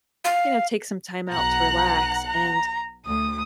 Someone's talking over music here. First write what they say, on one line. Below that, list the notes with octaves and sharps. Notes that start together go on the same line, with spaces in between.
you know, take some time out to relax, and
F5
B1 F#5 A#5 F#6
A#5
D2 D#6